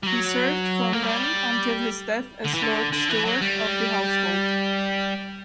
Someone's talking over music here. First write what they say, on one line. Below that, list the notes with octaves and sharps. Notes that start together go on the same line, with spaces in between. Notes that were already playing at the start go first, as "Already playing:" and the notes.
He served from then until his death as Lord Steward of the Household.
G3
F#3
A#3
G3
D3
E3
D3
D3
E3
F#3
G3